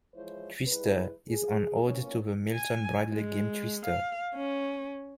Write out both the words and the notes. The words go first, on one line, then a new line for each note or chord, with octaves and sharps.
"Twister" is an ode to the Milton Bradley game Twister.
E3 F3 G#3 E4 C5 C#5
G3 E4 G#4 B4
G#4
B2 F3 A#3 C#4
G#5
G#3
F5
C#4